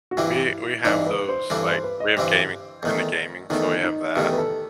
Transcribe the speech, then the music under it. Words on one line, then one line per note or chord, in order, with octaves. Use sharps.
we we have those, like, we have gaming; he's into gaming, so we have that.
F#4
G2 E3 G3 C4 E4
G2 E3 G3 C4 D#4
B4
C5
G2 E3 G3 C4 A4
C5
B4
D#5
G2 E3 G3 C4 C5
E2 D#3 A3
E2 D#3 A3 D#4
D#4
E2 D#3 A3 G4
B4
A4